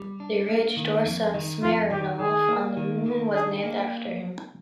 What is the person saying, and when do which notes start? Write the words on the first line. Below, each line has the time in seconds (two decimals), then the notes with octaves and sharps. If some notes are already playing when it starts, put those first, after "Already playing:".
The ridge Dorsa Smirnov on the Moon was named after him.
Already playing: G3
0.20 D4
0.49 A#3
0.77 D#3
1.05 F2
1.34 D#3
1.63 F2 F4
1.91 D#3 G4
2.20 D#3 G#4
2.48 A#3
2.77 D#3
3.06 D#3
3.34 D4 G#4
3.63 A#3